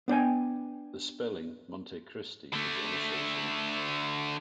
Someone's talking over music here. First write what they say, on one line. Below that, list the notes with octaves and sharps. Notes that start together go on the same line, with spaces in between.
The spelling Montecristi is also seen.
B3 D4 G5 G#5
D3 A3